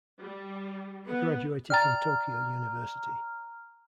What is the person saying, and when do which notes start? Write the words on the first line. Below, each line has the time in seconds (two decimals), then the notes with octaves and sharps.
He graduated from Tokyo University.
0.21 G3
1.07 B3
1.70 D5 G5 A#5 F6 A6